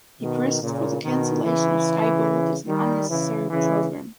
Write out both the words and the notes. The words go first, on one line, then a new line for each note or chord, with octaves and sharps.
He pressed for the cancellation of Skybolt as an unnecessary program.
B2 D#3
A#2 C#3
B2 D#3
C#3 E3
D#3 G3
C#3 E3
C#3 E3